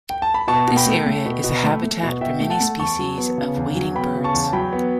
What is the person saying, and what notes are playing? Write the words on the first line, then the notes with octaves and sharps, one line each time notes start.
This area is a habitat for many species of wading birds.
G5
A5
B5
B2 A5 C#6
B2
G5 B5
A3
A3
B2
B2
A3
A3
B2
B2 E5 G5
A3 G5
F#5 A5
A3
E2 A5 C#6
F#3
B3
C#3
E2
F#3
B3 G5 B5
C#3
A5 C#6
E2
A5
F#3 G5 B5
B3